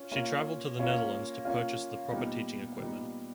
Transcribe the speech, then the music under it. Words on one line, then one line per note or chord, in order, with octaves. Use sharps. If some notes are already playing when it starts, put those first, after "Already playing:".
She travelled to the Netherlands to purchase the proper teaching equipment.
Already playing: C#4 F4
A#3 C#4 F4
A#3 C#4 F4
A#3 C#4 F4
A#2 G3 B3 D#4
A#2 G3 B3 D#4